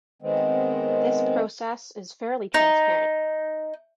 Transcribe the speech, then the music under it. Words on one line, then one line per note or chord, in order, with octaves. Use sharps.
This process is fairly transparent.
D#3 G#3 B3 C4
D#4